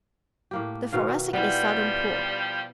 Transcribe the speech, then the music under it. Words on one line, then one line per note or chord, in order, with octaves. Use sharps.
The Thoracic is seldom poor.
A2 A#3 G4
B2 D#3 F5
F3 G3 B3 E4